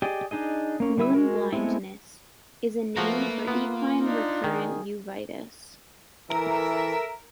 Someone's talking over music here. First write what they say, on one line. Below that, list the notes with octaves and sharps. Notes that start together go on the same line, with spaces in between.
"Moon blindness" is a name for equine recurrent uveitis.
G4 G#4 D5 D#5
D4 D#4 G#4 D#5
A#3 C#4
D3 G3 E4 B4 E6
G#3 F#4 A#4
G#3 A3 B3 C4 E4
F3 A3 A#3 F#4 B4 A#5
B3 F4
D4 D#4
D#3 G#4
E3 A4 A#4 E5